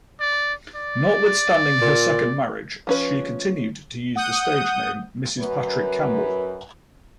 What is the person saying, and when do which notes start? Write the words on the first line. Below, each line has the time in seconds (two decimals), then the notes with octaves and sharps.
Notwithstanding her second marriage she continued to use the stage name "Mrs Patrick Campbell".
0.20 D5
0.75 D5
1.82 A#2
2.87 F3 C#4 B4
4.16 F#5 D#6 G6
5.39 F#2 B4